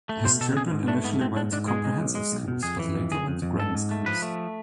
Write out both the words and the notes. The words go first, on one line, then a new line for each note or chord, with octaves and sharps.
His children initially went to comprehensive schools, but later went to grammar schools.
A3
B2 C5
B2 A4
B2 G#4
G#2
A3 D4
G#2 B3
G#2 C4
G#2 D4
G#2 D4
G#3 G#4
G#3
B1
G#3
B1
B2
F2 G#4
E3
F2
F2 G#4
F2
F2
G#2 A4
G#2
A3
F3 B4
A3